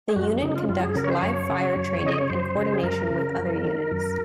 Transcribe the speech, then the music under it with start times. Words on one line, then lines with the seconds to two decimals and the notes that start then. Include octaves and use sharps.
The unit conducts live-fire training and coordination with other units.
0.09 G#4
0.16 F#2 F#4
0.42 C#3 D#4
0.56 F4
0.69 F#2 F4
0.83 G#4
0.96 C#3 A#4
1.04 C#5
1.10 C5
1.23 F#2 C#5
1.49 C#3
1.76 F#2
2.03 C#3 D#5
2.18 C#5
2.30 F#2 C5
2.57 C#3
2.73 G#4
2.83 F#2 A#4
3.10 C#3
3.38 F#2
3.65 D#3
3.91 F#2